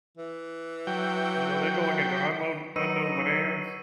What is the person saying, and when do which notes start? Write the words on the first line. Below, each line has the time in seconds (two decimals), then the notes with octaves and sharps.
you know, they're going into unknown unknown lands.
0.17 E3
0.87 F#3 G5
2.76 F#3 D#4 B4 C#6 E6 D#7